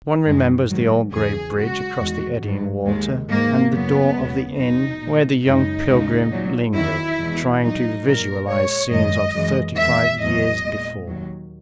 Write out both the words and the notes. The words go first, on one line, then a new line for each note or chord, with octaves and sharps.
One remembers the old gray bridge across the eddying water, and the door of the inn where the young pilgrim lingered, trying to visualize scenes of thirty-five years before.
F#2 D#3 G#3
G#2 D#3 F#3
E2 C#3 F#3 G#4
F#2 C#3 G#3 F#4
E2 D#3 G#3
G#2 F#3
D#2 D#3 G#3
G#2 E3 G#3 A#3
F#2 C#3 F#3 B3
D#2 C#3 G#3
E2 B2 F#3 D#4
A#2 G#3
F#2 C#3 G#3 D#4
D#2 C#3 G#3
A#2 F#3
E2 D#3 F#3 E4
E2 B2 G#3
A#2 F#3 D#4
A#2 F#3 A#4
A#2 G#3 C#5
F#2 D#3 G#3 D#5
F#2 E3 G#3
E2 D#3 G#3 E5
E2 B2 F#3 D#5
A#2 G#3
D#2 D#3 F#3